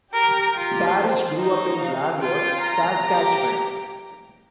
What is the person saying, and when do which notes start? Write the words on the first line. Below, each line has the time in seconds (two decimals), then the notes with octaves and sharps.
Sarich grew up in Bladworth, Saskatchewan.
0.13 G4 A#4
0.54 F4 G4
0.96 C5
1.38 D#4 C5
1.80 F5
2.21 F4 G5
2.63 A#5
3.05 G4